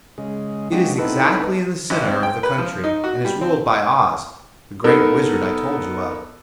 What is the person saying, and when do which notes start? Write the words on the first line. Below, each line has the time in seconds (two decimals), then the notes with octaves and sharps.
"It is exactly in the center of the country, and is ruled by Oz, the Great Wizard I told you of."
0.18 C#3 G#3
0.72 F3 G#3 C4 D4 F#4 G4
0.99 B3 C4 D#4 E4 A4 B4
1.90 G#1
2.06 C4
2.23 G5
2.43 B4
2.58 F3
2.84 D#4
3.04 F#4
3.25 G3
3.41 C4
4.84 B3 D#4 A4 A#4